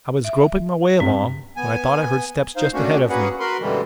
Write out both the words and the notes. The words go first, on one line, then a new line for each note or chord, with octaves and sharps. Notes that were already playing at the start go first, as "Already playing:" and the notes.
I was groping my way along when I thought I heard steps just ahead of me.
E5
G2 C4
B3 G#5
D#4 C5 F5
A3 A#3 C#4 D4 F#4
A#3 C#4 F#4 G#4 B4 F#5
F#4 A#4 B4 B5 C6
F#2 B2 D3 E3 G3 G#3